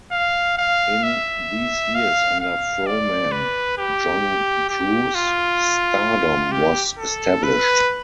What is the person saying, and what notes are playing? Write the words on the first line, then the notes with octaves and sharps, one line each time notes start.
In these years under Frohman, John Drew's stardom was established.
F5
F5
E5
F5
F5
D5
B4
G4
G4
F4
G4
A4
B4